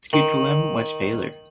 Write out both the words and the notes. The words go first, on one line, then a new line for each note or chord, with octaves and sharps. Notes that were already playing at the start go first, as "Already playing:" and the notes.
Scutellum much paler.
D#3